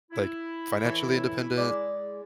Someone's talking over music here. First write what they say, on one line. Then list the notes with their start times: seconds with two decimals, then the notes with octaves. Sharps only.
like, financially independent.
0.11 E4
0.85 E3 A4 C#5
1.57 G#3 D5